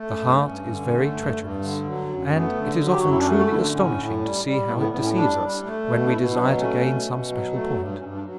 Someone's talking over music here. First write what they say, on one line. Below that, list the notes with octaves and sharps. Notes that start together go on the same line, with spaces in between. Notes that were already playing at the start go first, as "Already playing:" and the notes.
The heart is very treacherous; and it is often truly astonishing to see how it deceives us when we desire to gain some special point.
Already playing: A3
C#4
G2
B3
G2 C#4
D3
A3
G2
G2
D3
F#3
F#2
A3 B3
D3
F#3
G4
F#2 F#4
E4
D4
A3 C#4
F#4
D3 E4
D4
A2 C#4
A2
G3
G3
A2 B3
B3
A2 B3
C#4
G3 D4
G3
A3
B2
D4
B2 E4
E4
F#3 D4
A3 C#4
B2
B2
F#3
A3
G2
G2 C#4
D4
F#3